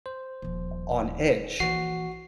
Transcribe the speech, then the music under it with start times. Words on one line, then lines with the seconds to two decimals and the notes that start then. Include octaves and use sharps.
on edge
0.06 C5
0.42 D#1 F3
1.60 A#1 E3 F#4 C7